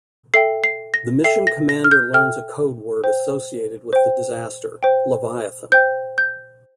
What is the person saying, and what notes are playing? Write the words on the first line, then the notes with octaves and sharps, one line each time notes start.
The mission commander learns a codeword associated with the disaster: Leviathan.
A4 E5 G5 C7
C7
A#6
A4 E5 G5 C7
A#6
A#6
F6
G6
A4 E5 G5 F6
C5 G5
C5 G5
C5 G5
C5 G5 G6
G6